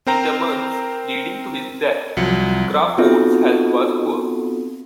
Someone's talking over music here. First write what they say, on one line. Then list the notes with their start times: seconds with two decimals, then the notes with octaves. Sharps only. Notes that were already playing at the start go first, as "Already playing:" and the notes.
In the months leading to his death, Crawford's health was poor.
0.07 C4 A#4 C5 G5 A#5
2.17 C2 F3 F#3 C#7
2.98 B3 C4 D#4 F4 F#4 A4